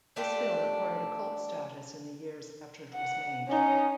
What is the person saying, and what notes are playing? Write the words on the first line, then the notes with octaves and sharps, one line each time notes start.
This film acquired a cult status in the years after it was made.
A3 D4 F4 G4
F#5
C#4 D#4